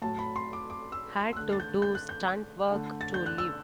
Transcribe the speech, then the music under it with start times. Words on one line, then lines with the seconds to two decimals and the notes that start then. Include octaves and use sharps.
Had to do stuntwork to live.
0.02 A2 F#3 A3 A5
0.19 B5
0.36 C6
0.53 D6
0.70 D6
0.92 E6
1.33 E6
1.36 D3 A3 F#6
1.53 A6
1.60 G6
1.82 G6
1.95 F#6
2.09 G6
2.71 D3 A3
3.01 A6
3.14 G6
3.26 F#6
3.38 E6